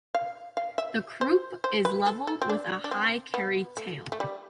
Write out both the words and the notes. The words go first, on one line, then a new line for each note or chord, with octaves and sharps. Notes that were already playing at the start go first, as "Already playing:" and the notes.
The croup is level with a high-carried tail.
F5
F5
E5
C5
C5
B4
A4
A4
C4
D4
D4
C4
B3
A3
A3
G3